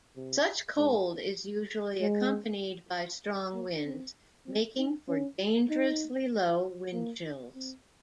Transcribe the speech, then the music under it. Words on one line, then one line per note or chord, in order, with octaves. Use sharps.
Such cold is usually accompanied by strong winds, making for dangerously low wind chills.
C3
G#2
G#3
A#3
C4
C4
D#4
C#4
D#4
A#3
C4